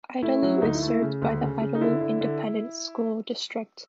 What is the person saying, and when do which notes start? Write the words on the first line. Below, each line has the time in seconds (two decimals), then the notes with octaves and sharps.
Idalou is served by the Idalou Independent School District.
0.23 A3 E4
0.43 F#3
0.62 D2 D#4
0.75 E4
0.82 A3
0.88 E4
1.02 C#3
1.22 D2
1.41 C#3
1.62 C#3
1.75 D#4
1.81 D3 E4
2.01 D3
2.21 D3